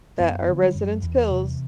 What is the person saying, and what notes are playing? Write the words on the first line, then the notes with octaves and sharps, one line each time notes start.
that our residents' pills
F#2 B3
B3
D3
G3
F#2
F#3
E2 E3
C3